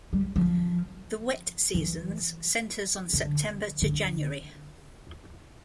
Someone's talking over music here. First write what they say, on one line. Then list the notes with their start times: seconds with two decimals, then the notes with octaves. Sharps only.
The wet seasons centers on September to January.
0.13 G3
0.36 F3
1.74 E3
3.13 D3
3.82 D3